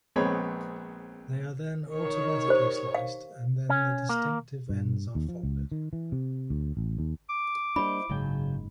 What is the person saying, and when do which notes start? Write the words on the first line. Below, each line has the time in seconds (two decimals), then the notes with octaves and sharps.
They are then automatically sliced and then the distinctive ends are folded.
0.16 A#1 G#3 B3 C4 C#5 B5
1.90 D#3 C#5
2.48 G4 C5
2.95 F5
3.69 C#4
4.09 A#3
4.69 G2
5.15 D#2
5.28 F3
5.43 C#2
5.71 D#3
5.93 E3
6.12 C3
6.50 D2
6.77 A1
6.99 D#2
7.29 D6
7.76 G3 A#3 D4 E4 C5 D#5 B5
8.09 F#1 G#2 C#3 F#3 G#3 G5